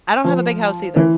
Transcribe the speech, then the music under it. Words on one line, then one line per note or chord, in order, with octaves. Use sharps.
I don't have a big house either.
F3
E3